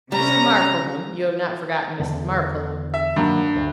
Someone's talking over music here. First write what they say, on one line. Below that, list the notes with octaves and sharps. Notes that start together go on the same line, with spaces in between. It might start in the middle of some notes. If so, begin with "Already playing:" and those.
Mrs. Markleham--you have not forgotten Mrs. Markleham?'
C3 G3 C#4 A#5
E2 D3
E5
G2 D#3 F#3 A#3
D2